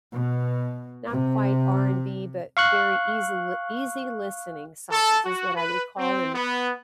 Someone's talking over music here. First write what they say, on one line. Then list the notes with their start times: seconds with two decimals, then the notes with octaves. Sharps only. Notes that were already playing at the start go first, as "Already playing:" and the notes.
not quite R&B, but very easil easy listening songs is what I would call them,
0.12 B2
1.10 C3
2.57 F5 C#6 F#6
4.91 A4
5.25 F#4
5.56 B4
5.98 C4
6.34 B3